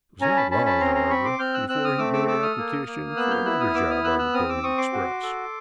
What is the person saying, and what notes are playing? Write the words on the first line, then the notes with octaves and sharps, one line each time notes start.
It was not long, however, before he made application for another job on the Pony Express.
C#4 G#5 A#5
A5 B5
C#4 A5 B5
A5 B5
C4 A#5 C6
A#5 C6
C4 B5 C#6
C6 D6
C4 F6 G6
E6 F#6
C4 E6 F#6
D#6 F6
A3 D6 E6
D6 E6
A4 D6 E6
D#6 F6
A#3
A#3
B3 E6 F#6
F6 G6
E4 E6 F#6
D#6 F6
B3 D6 E6
D#6 F6
B3 E6 F#6
E6 F#6
C4 D#6 F6
D6 E6
C4 C#6 D#6
C6 D6
F#4
A4